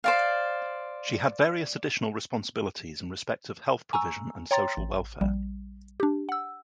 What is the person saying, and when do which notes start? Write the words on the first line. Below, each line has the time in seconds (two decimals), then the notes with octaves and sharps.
She had various additional responsibilities in respect of health provision and social welfare.
0.04 C5 D5 F5
3.93 G#5 A#5 C#6 E6
4.51 C#5 G5 A#5 C6 A6
4.77 A1
5.21 A#1 G3
6.00 D4 G4
6.29 F#5 E6